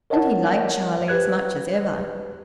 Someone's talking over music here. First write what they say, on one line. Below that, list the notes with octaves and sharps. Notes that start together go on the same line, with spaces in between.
And he liked Charlie as much as ever.
A#4 C#5 D#5 F#5 A5
G4 B4 F#6 G#6